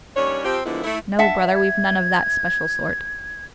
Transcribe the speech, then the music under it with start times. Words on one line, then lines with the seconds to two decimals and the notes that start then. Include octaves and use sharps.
"No, brother, we've none of that special sort."
0.15 D#2 G3 C#4 D4 C#5
0.44 F3 C4 G4
0.65 A#2 D3 F3 G#3 B3 E4
0.84 A3 E4
1.19 E5 F#5 A5
1.55 G#6